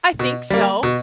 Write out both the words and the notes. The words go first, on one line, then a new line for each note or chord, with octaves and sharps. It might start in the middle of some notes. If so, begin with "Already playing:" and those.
I think so.
B2
G3 A#3
B2